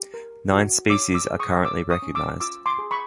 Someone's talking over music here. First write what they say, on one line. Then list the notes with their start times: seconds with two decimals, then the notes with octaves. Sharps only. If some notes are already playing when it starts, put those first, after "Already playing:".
Nine species are currently recognized.
Already playing: G4
0.14 A#4
0.52 F#4
0.89 C#5 D6 E6
1.14 D6 E6
1.27 G#4
1.40 C#6 D#6
1.64 C#5 D6 E6
1.90 C#6 D#6
2.02 C#4
2.15 D6 E6
2.40 F4 D6 E6
2.66 C6 D6
2.79 G#4
2.91 B5 C#6